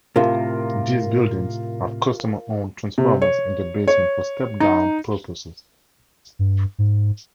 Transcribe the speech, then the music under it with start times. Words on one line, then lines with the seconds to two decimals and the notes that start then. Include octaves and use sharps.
These buildings have customer-owned transformers in the basement for step-down purposes.
0.16 A2 C3 F4 A#4
2.98 C3
3.22 C#5
3.88 C#5
4.60 D#4
6.39 G2
6.79 G#2